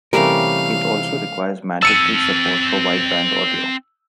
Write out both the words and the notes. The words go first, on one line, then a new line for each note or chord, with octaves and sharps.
It also requires mandatory support for wideband audio.
C3 E3 G3 A3 C#4 A#4 F5
C4 A5 E6 C#7 D#7